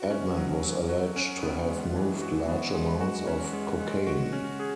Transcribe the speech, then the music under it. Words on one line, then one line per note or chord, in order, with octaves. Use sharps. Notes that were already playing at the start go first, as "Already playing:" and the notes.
Edmond was alleged to have moved large amounts of cocaine.
Already playing: F#4
C#4
F#3
F#3
F#4
C#4
B3
G#3
E3
F#4
B3
G#3
F#4
C#4
G#3
G#3
F#4
C#4
G#4